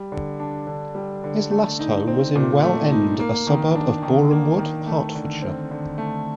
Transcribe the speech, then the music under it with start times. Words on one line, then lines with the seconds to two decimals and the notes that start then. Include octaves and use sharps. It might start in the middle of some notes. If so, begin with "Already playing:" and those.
His last home was in Well End, a suburb of Borehamwood, Hertfordshire.
Already playing: G3
0.12 D3
0.40 D4
0.67 D3
0.95 G3
1.24 D3
1.51 A3
1.79 D#4
2.07 C4
2.35 A#2
2.63 A3
2.91 D#4
3.19 A#3
3.47 D#3
3.75 D4
4.03 D#3
4.31 A#3
4.58 D#3
4.87 A3
5.15 D3
5.42 C4
5.71 D3
5.98 A3